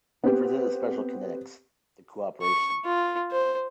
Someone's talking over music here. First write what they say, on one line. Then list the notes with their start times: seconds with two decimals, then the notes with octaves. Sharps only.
They present a special kinetics: the cooperation.
0.24 B3 C4 G4
2.42 C#6
2.85 F4
3.31 C5